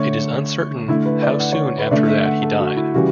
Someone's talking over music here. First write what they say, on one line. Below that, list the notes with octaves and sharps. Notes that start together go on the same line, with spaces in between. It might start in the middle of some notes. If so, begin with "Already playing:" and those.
It is uncertain how soon after that he died.
Already playing: D3 A3 C#5
D3 A3 E4
B4
D5
F#5
C#5
B4
D3 A3 D5
E5
F#5
A4
F#4
E4
C#3 E3 G3 F#4